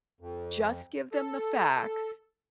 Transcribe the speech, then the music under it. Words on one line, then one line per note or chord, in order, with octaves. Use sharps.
just give them the facts,
F2
A4